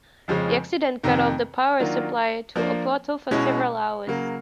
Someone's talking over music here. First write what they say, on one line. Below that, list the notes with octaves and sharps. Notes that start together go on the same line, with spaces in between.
The accident cut off the power supply to Oporto for several hours.
F2 C#3 F3 G#3 C#4
F2 C3 D#3
D#3 F#3 A#3 D4 F4
F3 A#3 D4
B2 G#3 C#4 E4
C#3 F#3 A#3